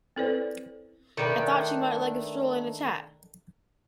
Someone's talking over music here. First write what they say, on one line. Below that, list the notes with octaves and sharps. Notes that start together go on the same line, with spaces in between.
I thought she might like a stroll and a chat.
C4 E4 A4 B4 C5 D5
D#3 A3 D4 B4